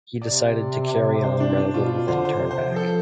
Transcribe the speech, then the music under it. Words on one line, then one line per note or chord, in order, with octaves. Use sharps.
He decided to carry on, rather than turn back.
C3 D5
C5
D4
D4
B2 F4
D3 C5
D3 C5
C3
C5
F3
A4